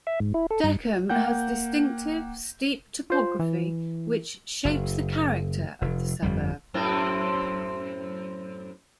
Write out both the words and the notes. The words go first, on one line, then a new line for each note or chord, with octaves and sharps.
Deckham has distinctive, steep topography which "shapes the character" of the suburb.
E5
G#2
E4
A4
G2
A#3 F#5 G5 G6
F4 C5
E3
F#1
F1
G1 F2 G3
F#2 A2 C4